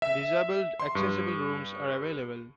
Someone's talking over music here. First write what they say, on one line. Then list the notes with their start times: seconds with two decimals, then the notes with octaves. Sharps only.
Disabled accessible rooms are available.
0.02 E5
0.80 C6
0.95 G2